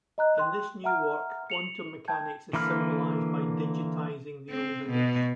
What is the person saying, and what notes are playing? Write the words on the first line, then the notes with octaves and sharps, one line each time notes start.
In this new work, quantum mechanics is symbolized by "digitizing" the old image.
D#5 A#5 F#6
G5 C6 F#6
E5 F#5 A#5 F6
C#7 F7 F#7
G5 A5 G6 G#6
D3 E3 A#3 B5 F6
C4
B2